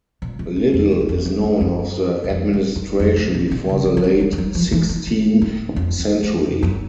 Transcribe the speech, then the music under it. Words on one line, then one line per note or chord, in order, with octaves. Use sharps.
Little is known of the administration before the late sixteenth century.
A#2
G#2
G2
F2
F#2
E2
F2
E2
F2
F#2
F#2
F2
A2
G#2
F2
A2
A#2
A#2
C#3
D3
E3
D#3
E3
F3
F#3
F3
D#3
E3
F3
D#3
A2
F2
E2
F2
F2
F#2